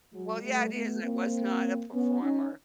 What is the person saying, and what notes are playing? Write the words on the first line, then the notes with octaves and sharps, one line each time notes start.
Well, yeah, it is, I was not a performer.
F#3 G#3
G3 A3
A3 B3
A#3 C4
B3 C#4
C#4 D#4